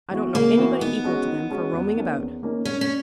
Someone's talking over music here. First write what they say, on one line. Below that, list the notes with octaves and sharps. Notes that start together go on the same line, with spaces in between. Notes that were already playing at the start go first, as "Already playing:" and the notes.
I don't know anybody equal to them for roaming about.
E3 B3 F#4
C#3 A#3
E3 B3 F#4
D#3 B3
G#3 C#4 F#4
D#3
G#3 C#4 F#4
E2
D#3 A#3 C#4
E2
D#3 A#3 C#4
F#2 C#4
C#4